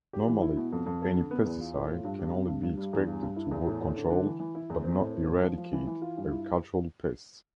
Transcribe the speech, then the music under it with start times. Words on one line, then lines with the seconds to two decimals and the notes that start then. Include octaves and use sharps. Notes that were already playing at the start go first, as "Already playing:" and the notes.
Normally, any pesticide can only be expected to control, but not eradicate, agricultural pests.
0.13 G4
0.27 E3
0.42 E4
0.57 B2
0.72 F2
0.86 F2
1.01 A4
1.15 D3
1.31 B3
1.46 E2
1.60 F4
1.74 A2
1.90 F4
2.04 G2
2.19 G4
2.34 C3
2.48 G2
2.63 G2
2.77 G3
2.93 E2
3.07 G2
3.22 G2
3.36 E4
3.51 E2
3.66 A2
3.81 A2
3.96 D3
4.10 D3
4.26 E3
4.40 E3
4.55 E4
4.70 E2
4.84 C4
4.99 A2
5.14 C4
5.29 F2
5.44 F3
5.58 F3
5.73 E3
5.87 E3
6.02 F4
6.17 G2
6.32 E4